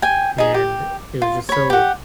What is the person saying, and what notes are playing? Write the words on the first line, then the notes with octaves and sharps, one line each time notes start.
and it was just so
G5 G#5
D#4 G#4
G4
F4
C#5 B5
G4 F#5